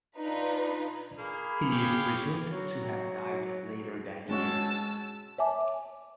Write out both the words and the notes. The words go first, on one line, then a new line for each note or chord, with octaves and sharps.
He is presumed to have died later that year.
D4 D#4 F4 B4
A#3 G#4 B5
G4 C#5 F5
F#3 F#4
G#3 C#4 F#4 A5 E6
C#5 E5 G#5 A5 D6